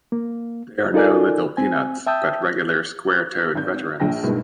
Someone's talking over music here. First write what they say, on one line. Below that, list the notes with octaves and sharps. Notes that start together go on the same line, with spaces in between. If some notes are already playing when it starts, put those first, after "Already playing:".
They are no little peanuts but regular square-toed veterans.
A#3
D#4 F4 A4 A#4 D5 G#5
C4 G#5
E5 G5 A5 D#6 E6 G6
G#1 G6
A#1 D4 G5 A#6
G2 B2 D#3 G#3